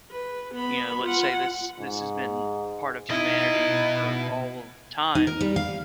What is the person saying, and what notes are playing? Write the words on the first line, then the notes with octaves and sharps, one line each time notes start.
you know, let's say this this has been part of humanity for all of time.
B4
B3 B5
F4 F#5
G#2
B2 D#4 E4 D#5
D#4
A#4
G3
F5